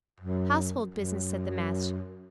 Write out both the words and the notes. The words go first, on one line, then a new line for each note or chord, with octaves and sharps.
Household business, said the Master.
F#2
F#2